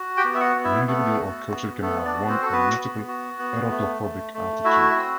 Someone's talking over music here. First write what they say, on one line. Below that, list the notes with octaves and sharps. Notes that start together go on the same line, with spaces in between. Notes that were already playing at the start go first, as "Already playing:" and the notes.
An individual or culture can have one or multiple erotophobic attitudes.
Already playing: F#4
G4 G5
B3
E5
F#4 F#5
B3
E4 E5
A3 B3 A4
F#4
B3
A3 B3 A4
D4 D5
F#4
C4 C5
F#4 A4
B3 B4
B3
F#4
B3
A3
A3
A3
E4 F#4 E5
C4